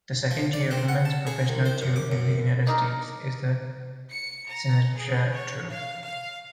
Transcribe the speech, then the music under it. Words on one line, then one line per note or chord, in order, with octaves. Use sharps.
The second tier women's professional tour in the United States is the Symetra Tour.
F3
D5
C4
F#5
A5
G#4
C2
C5
F#2
D6
F#2
D4 D#4 A#4
C#7
A#5
G#4
C#5
F5
F5